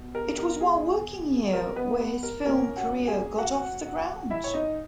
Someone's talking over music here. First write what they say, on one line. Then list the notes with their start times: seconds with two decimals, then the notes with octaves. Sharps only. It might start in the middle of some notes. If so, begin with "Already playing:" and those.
It was while working here where his film career got off the ground.
Already playing: B2
0.15 A#4
0.38 A#4
0.61 G#4
1.53 A#4
1.76 B3 B4
2.00 B3 B4
2.23 A#4
2.46 A#2 A#3 C#4 A#4
2.76 F#4 F#5
3.07 G#4 G#5
3.38 F#4 F#5
4.30 E4 E5
4.44 C#5
4.54 D#4 D#5